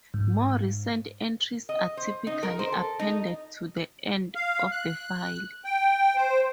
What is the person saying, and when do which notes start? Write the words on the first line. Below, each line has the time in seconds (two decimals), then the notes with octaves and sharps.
More recent entries are typically appended to the end of the file.
0.14 G#2
1.69 D#5
1.97 C5
2.27 D#4
2.43 A#4
2.59 C5
2.72 A4
2.99 D#4
4.35 F5
4.72 F#6
5.64 G5
6.16 C5